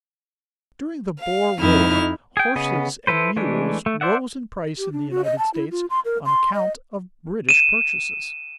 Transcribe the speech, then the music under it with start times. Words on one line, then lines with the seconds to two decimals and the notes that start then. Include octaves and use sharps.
During the Boer War horses and mules rose in price in the United States on account of British purchases.
1.19 F5
1.59 F2 D#4 E4 F6
2.37 G#4 G5
2.55 C#3 B3 G#4 D#5
3.07 E4 A4 B4 C5
3.37 E3 G#3 A3 D4 E4
3.86 A3
4.01 C5 D5 E5 F#5
4.78 G4
4.92 D4
5.11 F#4
5.24 D#5
5.39 A5
5.54 E4
5.71 F4
5.90 C6
6.05 A#4
6.25 C6
6.54 D#5
7.49 D#7 E7